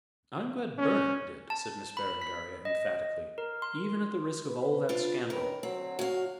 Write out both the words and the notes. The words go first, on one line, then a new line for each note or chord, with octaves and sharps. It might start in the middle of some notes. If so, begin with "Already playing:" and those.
"I am glad Bernard did," said Miss Berengaria, emphatically; "even at the risk of all that scandal."
C#4
A5
B5
B6
D#5
A#4
C6
B4
D4 F4
D#3 C#4 A#4 B4
D3 F#3 C4
F#4 F5